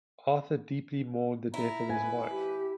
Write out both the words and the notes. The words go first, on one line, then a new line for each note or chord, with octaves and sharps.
Arthur deeply mourned the death of his wife.
E4 A#5
G#1 F2 B4 G#5
G4